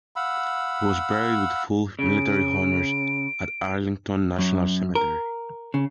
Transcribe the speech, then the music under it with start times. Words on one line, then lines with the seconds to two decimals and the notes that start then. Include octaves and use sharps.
He was buried with full military honors at Arlington National Cemetery.
0.16 F5 F#5 B5 E6
1.99 C#3 D7
4.38 F#2
4.95 A#4
5.74 C#3